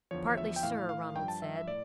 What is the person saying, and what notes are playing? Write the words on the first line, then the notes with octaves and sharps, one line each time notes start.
"Partly, sir," Ronald said.
E2 D3 F3 C#5
E5
G5
A2 E3 F5
F5
G2 F3 G5
A5
E5
E5
A2 D5